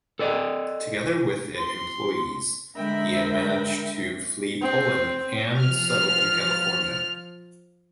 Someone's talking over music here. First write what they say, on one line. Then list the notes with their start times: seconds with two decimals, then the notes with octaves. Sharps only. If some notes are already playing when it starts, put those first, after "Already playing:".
Together with it employees, he managed to flee Poland and settle in California.
0.19 A4 D5 D#5
1.57 C6
2.76 D3 G#3 A#4 E5 G5 B5
4.62 C4
5.60 F3 F6